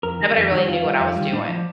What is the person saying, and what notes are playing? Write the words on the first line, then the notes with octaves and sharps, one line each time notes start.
Nobody really knew what I was doing.
F2 A#4
D#3 G3
F2
D#3
G3
F2 F4
D#3 G3
F2
D#3 G3
A2 D4
F3